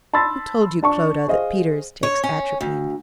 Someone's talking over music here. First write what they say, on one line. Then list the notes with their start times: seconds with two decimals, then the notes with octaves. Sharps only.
Who told you, Clodagh, that Peters takes atropine?'
0.14 A5 B5 C6 E6 A6
0.83 D4 A5 C#6
1.28 G#4 C5 D#5 F5
2.03 C#5
2.24 C#4
2.61 D2